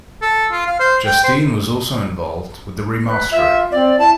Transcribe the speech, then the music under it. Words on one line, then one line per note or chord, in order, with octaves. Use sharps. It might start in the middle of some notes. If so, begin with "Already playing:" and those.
Justine was also involved with the remastering.
A4
F4
F5
C5
G5
C5
B4
F4 E5
C4 D5
E4 A5